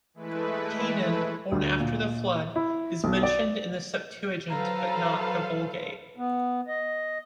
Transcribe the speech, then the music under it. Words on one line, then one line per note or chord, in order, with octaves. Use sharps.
Cainan, born after the flood, is mentioned in the Septuagint but not the Vulgate.
E3 G#3 A3 E4 B4
D2
A#2
E4
B1
D5
F#3 A4 B4 C5 F5 A#5
B3
D#5